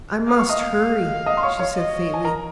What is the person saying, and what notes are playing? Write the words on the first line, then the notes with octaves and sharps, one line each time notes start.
"I must hurry," she said faintly.
F5 D#6
C#6
D#5 D#6
D#5 D#6
C6
C#5 C#6
C#5 C#6
D#5
G#5
A#4 A#5